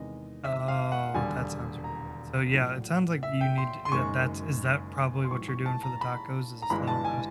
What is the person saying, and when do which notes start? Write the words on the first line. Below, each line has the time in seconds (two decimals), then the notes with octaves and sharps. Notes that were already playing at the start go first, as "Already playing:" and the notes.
Oh, that sounds really good. So, yeah, it sounds like you need, t eh, that that is that probably what you're doing for the tacos is a slow roast?
Already playing: E2 C3 D#3 G#3 D#5
0.44 E5
0.68 F5
0.92 F#5
1.14 E1 D#2 D3 G3 G#5
1.84 A#5
2.53 A#1 A2 F#3
3.23 E5
3.41 G5
3.58 C6
3.85 C6
3.92 F#1 F#2 D#3 G#3 C#6
5.24 C6
5.31 A#1 G#2 E3 G3 C#6
5.48 C#6
5.66 A5
5.83 A#5
6.01 B5
6.62 A#5
6.70 G1 G2 E3 G#3 B5
6.87 A5
7.05 G#5